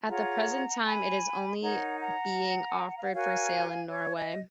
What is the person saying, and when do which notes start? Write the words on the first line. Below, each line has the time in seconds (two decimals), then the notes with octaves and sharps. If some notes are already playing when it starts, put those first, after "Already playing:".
At the present time, it is only being offered for sale in Norway.
0.08 F4 G#4 C#5 F#5 A#5
0.84 G#5 B5
1.61 D#4 A#4 C#5 F#5 A#5
1.99 F#5 A#5
2.96 F5
3.04 F#5
3.13 F#4 A#4 C#5 F5 G#5
3.90 C#5
4.15 D#5